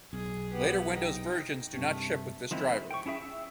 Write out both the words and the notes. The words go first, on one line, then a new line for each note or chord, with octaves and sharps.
Later Windows versions do not ship with this driver.
B1 G#4
B3 G4
D#4 G5
G2 C3 A3
D#3 F3 G#3 C4 E4
G5 C#6
C#4 E4 G#4 E5 G5
E6